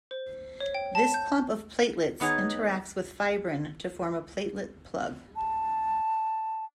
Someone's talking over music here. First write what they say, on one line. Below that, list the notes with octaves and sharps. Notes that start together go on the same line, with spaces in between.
This clump of platelets interacts with fibrin to form a platelet plug.
C5
C#5
G5
A5
G6
D#3 B3 D#4 G#4 C#5
A5